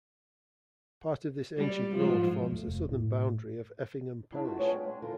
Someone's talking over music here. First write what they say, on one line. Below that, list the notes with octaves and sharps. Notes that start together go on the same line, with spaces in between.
Part of this ancient road forms the southern boundary of Effingham parish.
G3
G#2 F3
A3
F1
A2
D4 E4
F4 F#4 D#5 E5 F#5
B3 D4 F4 G#4 B4 C#5
G2 G5
G#3 D4
D3 E3 F4 A#4